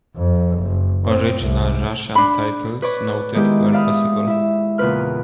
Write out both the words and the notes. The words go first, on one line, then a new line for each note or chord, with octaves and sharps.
Original Russian titles noted where possible.
F2
F#1
C4
C2
D4 B5
B4 C#5 D5 C#6
D#3 G#3 B3 E4 G4
D5 E5 F5 B5 D#6
E4 E5
E2 A#2 C#3 B4 F6